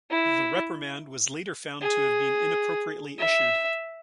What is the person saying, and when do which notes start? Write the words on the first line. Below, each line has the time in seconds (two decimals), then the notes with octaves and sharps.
The reprimand was later found to have been inappropriately issued.
0.10 E4
1.81 G#4
3.18 E5